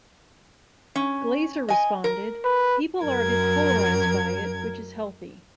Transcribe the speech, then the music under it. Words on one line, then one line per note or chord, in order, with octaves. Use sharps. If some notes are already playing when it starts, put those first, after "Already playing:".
Glazer responded, "People are a bit polarised by it, which is healthy".
C#4
D#5 G#5
A#4
B4
F#2 A#4 G#6